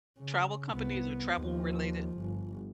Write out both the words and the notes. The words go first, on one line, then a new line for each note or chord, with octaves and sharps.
travel companies or travel-related?
C#3
C2 B3
D#2 F3
G1